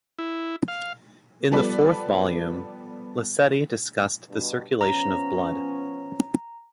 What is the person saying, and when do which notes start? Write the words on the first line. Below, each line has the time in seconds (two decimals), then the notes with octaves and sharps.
In the fourth volume, Liceti discussed the circulation of blood.
0.19 E4
0.68 F5
1.51 F3 G3 B3 A4 B4 D5
4.28 G2 B2
4.81 F3 B3 C#4 A#5